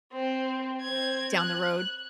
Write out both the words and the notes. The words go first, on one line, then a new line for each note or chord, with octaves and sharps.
down the road?
C4
C4 G#6
F#6